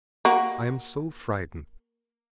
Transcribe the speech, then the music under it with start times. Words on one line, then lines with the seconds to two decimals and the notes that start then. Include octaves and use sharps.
I am so frightened.
0.25 A#3 F#4